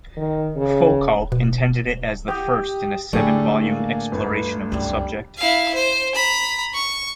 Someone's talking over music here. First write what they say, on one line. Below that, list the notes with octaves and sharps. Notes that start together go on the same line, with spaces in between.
Foucault intended it as the first in a seven-volume exploration of the subject.
D#3
C#3
B2
G4 D#5 G5
A2 D3 G3 A3 D4 G4 G#4
A#3
G1 D2 B4
C2 F#2 G3
E4 F5
C5
A#5 B5
C#6